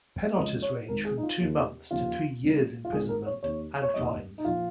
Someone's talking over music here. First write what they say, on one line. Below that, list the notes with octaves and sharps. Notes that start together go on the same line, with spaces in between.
Penalties range from two months' to three years' imprisonment and fines.
C#2 C#3 F3 D#5
C#5
G#1 G#2 D#3 A#4
G#4
D#4
F4
D#2 D#3
D#2 C#3 F3 F4
C#2 C#3 F3
F4
G#1 G#2 D#3 G#4
A#4
C#5
D#2 D#3 C#5
C#5
F1 D#2 D#3 D#5
D#4
A#1 F3 F4